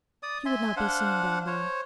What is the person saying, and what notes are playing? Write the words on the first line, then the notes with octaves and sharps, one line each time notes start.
He would not be seen down there.
D5 D#6
E5 G#5 C6
D4 C5 F5 F#5
C5 C#5